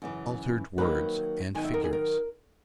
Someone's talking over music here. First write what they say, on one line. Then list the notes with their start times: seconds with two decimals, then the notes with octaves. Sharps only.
Altered Words and Figures.
0.02 F#2 C#3 E3
0.78 D#3 F#3 A#3 B4
1.55 D#3 F#3 B3 G#5
1.65 E5
1.74 A#4
1.84 G#4
1.93 A#4